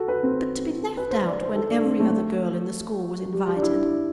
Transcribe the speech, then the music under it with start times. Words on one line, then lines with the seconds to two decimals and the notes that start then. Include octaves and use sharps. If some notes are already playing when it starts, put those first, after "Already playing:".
But to be left out when every other girl in the school was invited!
Already playing: F#4 A4
0.08 B4
0.23 C4
0.97 B4
1.11 C5
1.26 D5
1.41 C5
1.56 A4
1.70 D4
1.85 C4
2.00 A3
3.33 G3
3.47 G3
3.56 D4
3.62 E4